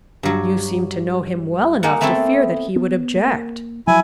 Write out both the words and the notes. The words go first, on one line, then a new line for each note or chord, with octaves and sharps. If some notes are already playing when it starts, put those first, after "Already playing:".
"You seem to know him well enough to fear that he would object."
G2 F#3
G#3 A#3 D#4 F#5
A3 B3 C4 E4 A4
B3
A#3
F3 F#3 E4 G#5